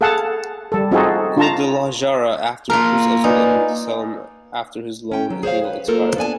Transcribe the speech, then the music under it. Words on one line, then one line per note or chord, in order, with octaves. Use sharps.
Guadalajara after Cruz Azul agreed to sell him after his loan deal expired.
G#4 A4 F5 F#5 A5
G3 A4
C4 D#4 F4 F#4 G#4 A4
F4 A5 A#5
A#3 F4 A#4 A5
D#4 B4 D5 G#5
C#4 G5
F#3
G#4 C5 C#5 F5
B4
A#3 F4 A4 A#4 C5
B3 D4 D5 G#5 A5